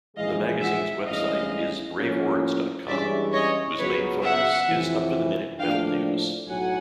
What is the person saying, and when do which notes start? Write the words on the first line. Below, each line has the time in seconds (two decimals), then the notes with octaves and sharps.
The magazine's website is BraveWords.com, whose main focus is up-to-the-minute metal news.
0.16 A#1 G#2 E3 G#3 D#5 F5
0.61 E5 F#5
1.06 A1 G2 E3 G#3 C#4 D#5 F5
1.97 A2 F3 A#3 C#4
2.87 G2 E3 G#3 C#4 D5 E5
3.32 C#5 D#5
3.78 C#2 C#3 F#3 B3 B4 C#5
4.24 E5 F#5
4.69 F2 C3 E3
5.59 A2 F3 A#3 D4 F5 G5
6.49 B1 A2 F#3 F#5 G#5